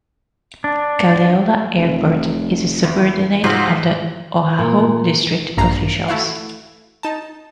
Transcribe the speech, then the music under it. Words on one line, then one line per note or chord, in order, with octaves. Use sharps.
Kalaeloa Airport is a subordinate of the Oahu District officials.
D4
F1
E2
G#2 F3 F#3
A#2
A#1 G2 A#5 C7
A3 E4 F#4 F5
D#4 A5